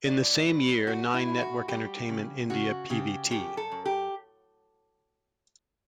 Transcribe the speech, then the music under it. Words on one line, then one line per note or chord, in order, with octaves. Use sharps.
In the same year, 'Nine Network Entertainment India Pvt.
A2 D5
F#3 B4
A3 F#4
E4
A2
F#4
G3 G4
C#3
C#3 F#4
C#3 G4
F#2 G4
A4
F#2
G4